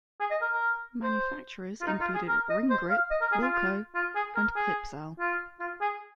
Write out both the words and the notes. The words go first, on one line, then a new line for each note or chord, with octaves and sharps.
Manufacturers included Ring Grip, Wilco and Clipsal.
G#4
D#5
A#4
A#4
C5
F4
D#4
F4
G#4
A#4
D#5
C5
F5
D#5
A#4
G#4
F4
F4
F4
G#4
A#4
G#4
F4
F4
G#4